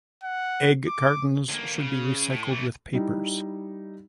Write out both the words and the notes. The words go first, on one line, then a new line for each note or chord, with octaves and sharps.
Egg cartons should be recycled with papers.
F#5
D6
D2 A#3
C#3
A2
E3 A3
G3 D#4 E4